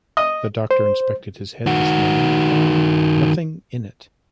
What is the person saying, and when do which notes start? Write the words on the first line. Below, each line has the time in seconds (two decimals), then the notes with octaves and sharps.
The doctor inspected his head this morning and found nothing in it.
0.17 D#5
0.71 C5
1.67 D#3 F#4